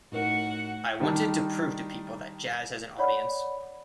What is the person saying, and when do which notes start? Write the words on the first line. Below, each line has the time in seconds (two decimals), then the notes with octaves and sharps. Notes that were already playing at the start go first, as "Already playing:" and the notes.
I wanted to prove to people that jazz has an audience.
0.12 A2 D#4 F#4 A#4 F#5
1.00 D#3 G3 D4
2.99 C#5 D5 F#5 B5